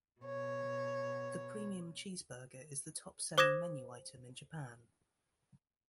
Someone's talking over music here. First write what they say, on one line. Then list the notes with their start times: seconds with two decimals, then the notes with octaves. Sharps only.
The premium cheese burger is the top selling menu item in Japan.
0.21 B2 C#5
3.38 C5 D6 D#6 G#6 A#6 E7